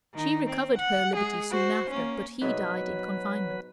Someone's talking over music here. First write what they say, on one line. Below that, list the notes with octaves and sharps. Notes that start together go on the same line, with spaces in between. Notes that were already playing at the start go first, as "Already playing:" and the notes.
She recovered her liberty soon after; but he died in confinement.
D#3 D#4
C4
F#5
G#3 G#4
F#4 C5
A#3 C#4
G#2 B2 F#3 B4 C#5 E5